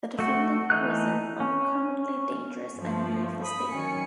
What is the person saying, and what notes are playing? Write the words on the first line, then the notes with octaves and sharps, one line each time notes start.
The defendant was an uncommonly dangerous enemy of the state.
A3 F#4
E3 A3 D#4 F#6
C#4
G2 F3 A3
B5 D#6
D#3 F#3 C#4 C#5 G#5 C#7